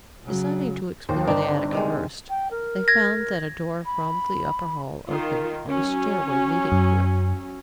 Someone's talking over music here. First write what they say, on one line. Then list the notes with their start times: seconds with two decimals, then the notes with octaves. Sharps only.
Deciding to explore the attic first, they found that a door from the upper hall opened on a stairway leading to it.
0.24 C#3 F#3
1.09 D#2 C5
1.27 G1 C4 D4 D#4
1.72 C3 D#3 G#3
2.29 G5
2.51 A#4
2.88 G#6 A#6
3.85 B5
5.08 D#3 F4
5.67 F#3 C#4
6.72 F#2